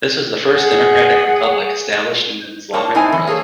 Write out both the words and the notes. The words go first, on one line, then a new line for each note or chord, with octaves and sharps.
This was the first Democratic Republic established in Islamic World.
G#4 F#5
F2 A#3 C#5 A5
A2 C4 D#4 E4 G#5
E3
A#3 G#4 A4 C#5